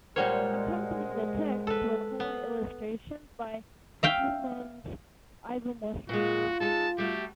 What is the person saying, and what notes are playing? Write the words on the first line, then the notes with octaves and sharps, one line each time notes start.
Accompanying the text were color illustrations by Sigismond Ivanowski.
A#2 G3 G#3 A#4 C5 C#5 F#5
A4 B4
B3
E5 F5 G5
A#2 G#3 F4 F#4
G#3 D#4 A4 A5
G3 A3 F#4 G4